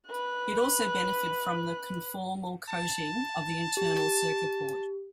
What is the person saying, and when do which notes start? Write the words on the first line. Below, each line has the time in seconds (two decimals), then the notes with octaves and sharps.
It also benefited from the conformal coating of the internal circuit board.
0.10 B4 F#6
2.69 A5
3.77 G4